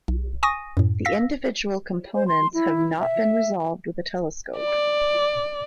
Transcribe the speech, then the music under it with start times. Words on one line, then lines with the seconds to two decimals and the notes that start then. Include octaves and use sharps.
The individual components have not been resolved with a telescope.
0.08 B1
0.43 G#5 C#6 D#6 A#6 D#7
0.77 F#2 A2
1.05 F5 E6 A#6 B6
2.15 C5
2.28 C6
2.54 E4
3.00 E5
4.58 D5